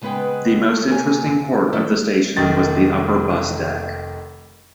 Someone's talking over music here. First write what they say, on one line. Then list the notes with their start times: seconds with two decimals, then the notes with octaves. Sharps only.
The most interesting part of the station was the upper bus deck.
0.02 C#3 G#3 B3 B4 G5
0.91 C3 A#3 C#5 G#5
1.73 D#3 A3 A#3 E4 C5 C#5
2.37 F1 D#3 A6